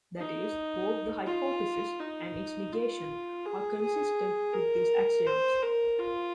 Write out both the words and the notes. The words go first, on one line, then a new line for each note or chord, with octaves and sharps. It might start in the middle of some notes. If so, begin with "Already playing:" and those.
That is, both the hypothesis and its negation are consistent with these axioms.
D#4
F4
D#4
F4
G#4
G#4
A#4
C5
A#4
F4